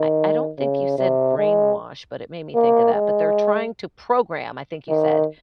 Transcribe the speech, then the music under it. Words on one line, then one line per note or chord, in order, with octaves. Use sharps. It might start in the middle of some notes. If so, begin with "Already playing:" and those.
I I don't think you said brainwash, but it made me think of that, but they're trying to program, I think you said,
Already playing: D#3
C#3
C3
G#3
A#3
G#3
D#3